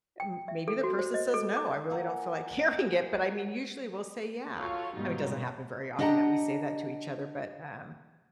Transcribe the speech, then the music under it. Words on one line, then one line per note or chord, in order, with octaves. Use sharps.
m maybe the person says, "No, I really don't feel like hearing it," but, I mean, usually, we'll say, "Yeah." I mean, doesn't happen very often that we say that to each other, but, um,
G5
E5
A4
F#4
C5
D#5
A4
D6
A#4 F#5 G#5
F4 F#4 A4 C#5 F5
G#2 B2 F#3 G3 D#4 F4
D4 G4 D#5 F#5 A5 A#5